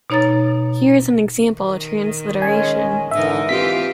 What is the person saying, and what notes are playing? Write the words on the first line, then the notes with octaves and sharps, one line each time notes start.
Here is an example transliteration.
B2 D#4 C#5 A#5 A6
D#3
G#3 C#4 G#5
G#2 D3 E3 D#4 A#4 E5
E3 C4 F4 G4 B6